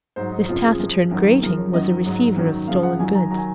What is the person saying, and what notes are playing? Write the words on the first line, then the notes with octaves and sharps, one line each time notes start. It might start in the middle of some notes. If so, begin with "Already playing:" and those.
This taciturn grating was a receiver of stolen goods.
G#2 F#3 C5
D#4
F2 C#3 F3 F4
G#4
F#2 F3
F#2 D#3 F#3
F#2 C#3 F3 A#4
C#5
F#2 D#3 F#3 D#5
G#2 F#3
F#2 D#3 F#3
F#2 C#3 F3 F5
F#5
F#2 D#3 F#3 G#5
A#5
D#3 F#3 A#5
G#5